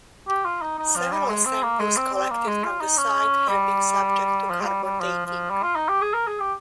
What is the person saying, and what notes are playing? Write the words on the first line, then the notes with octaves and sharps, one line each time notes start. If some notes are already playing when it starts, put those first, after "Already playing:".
Several samples collected from the site have been subject to carbon dating.
G4
F4
D#4
D#4
F3
G3
G#3
C4
A#3
G#3
C4
C4
A#3
G#3
F4
D#4
C#4
G3
F3
G#3
G3
G3
F3
F3
G3
F4
D#4
G4
G#4
A#4
G#4
G4